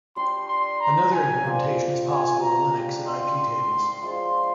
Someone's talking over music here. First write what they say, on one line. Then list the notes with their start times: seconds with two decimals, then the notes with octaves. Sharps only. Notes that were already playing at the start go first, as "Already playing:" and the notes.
Another implementation is possible with Linux and iptables.
0.16 G3 D4 G4 C6
0.48 C6
0.81 A#5
1.13 G#5
1.45 G3 A#3 F4 C5
2.09 G#5
2.41 A#5
2.73 D4 G4 D5 F5
3.06 C6
3.37 C6
4.02 F3 G#3 D4 F4 C6